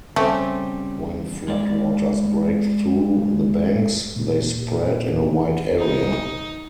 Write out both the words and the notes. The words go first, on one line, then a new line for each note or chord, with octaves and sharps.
When floodwaters break through the banks, they spread in a wide area.
C#3 G3 A3 C4 C#4 G4 C5
G#3 D5
A#2
D#4